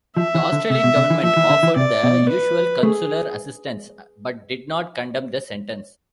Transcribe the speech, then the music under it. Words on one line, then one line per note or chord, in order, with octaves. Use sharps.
The Australian government offered the usual consular assistance, but did not condemn the sentence.
F3 E5
E3
D3
C3 E5
B2
C3
E3
F3 E5
E3
D3
E3
C3 D5
B2
B4
A3 G#4